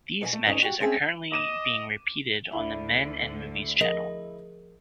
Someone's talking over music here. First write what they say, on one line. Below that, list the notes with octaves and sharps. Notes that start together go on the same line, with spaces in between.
These matches are currently being repeated on the Men and Movies channel.
B2 D#5 G#5
A3
D2 G2 C#4 D#4
F#4 G4
A3 C4 C#4 G#4 E5
D#5 D6 D#7 E7
D2 D3 E4 E5
F3 G#4 A#4 D#5